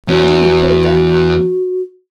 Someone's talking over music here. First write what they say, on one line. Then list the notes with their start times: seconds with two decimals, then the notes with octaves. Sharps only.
No idea you'd put it there.
0.08 E2 F#4